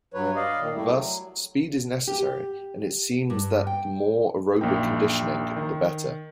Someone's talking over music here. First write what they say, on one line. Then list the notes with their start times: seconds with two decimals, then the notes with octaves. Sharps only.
Thus, speed is necessary, and it seems that the more aerobic conditioning, the better.
0.14 G2 F#3 B4 C#5
0.36 D5 D#5 F5
0.59 A#2 D#3
0.74 G3 A3 E4
0.95 F#3
2.07 G4
2.20 G4
3.30 G2
3.67 G5
4.61 A#1 F#2 A#3 D#4 G5
5.56 D#3